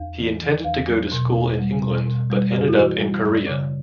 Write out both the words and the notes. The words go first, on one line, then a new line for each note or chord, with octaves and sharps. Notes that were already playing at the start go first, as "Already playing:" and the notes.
He intended to go to school in England but ended up in Korea.
Already playing: E2
E3
E3
E2
F#3
B2
E2
G3
B2
B2
G3
F#2 G4
F#4
E4
E3 F#4
G3
F#2
D5
C#3 C#5